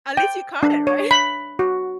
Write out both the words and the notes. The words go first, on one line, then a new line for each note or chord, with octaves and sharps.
At least you caught it. Right?
G5
D4
C#5
B5
F#4